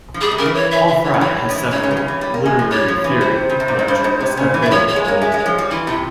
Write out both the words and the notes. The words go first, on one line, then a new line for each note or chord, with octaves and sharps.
Paul Fry has several 'literary theory' lectures available on YouTube.
F3
G3 G#4
C3
C#3 A#4
E3
C#5
E5
E5
C#5
C#3
E3 C#5
F3
E3
C#3 C#5
C3
C#3
E3
C#3
E3
G3
A#3
G#3
F3
G3 C#5
F3
E3
C3 C5
C#3
C3
A#2
G#2
G2
G#2
C3
C#3
E3
E5
E3
F3 C#5
C#5
G#3
A#3 C#5
G#3 E5
G#3 C#5
F3
G3
E3 E4
C3 F4